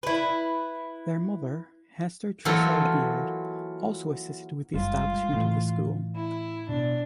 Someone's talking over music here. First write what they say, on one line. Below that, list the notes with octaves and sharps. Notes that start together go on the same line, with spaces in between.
Their mother, Hester Truslow Beard, also assisted with the establishment of the school.
E4 B4
E3 F#3 A#3 F4 A4 C5
F#1 G3 G#3 F4
A2 E3
E4
B2 D4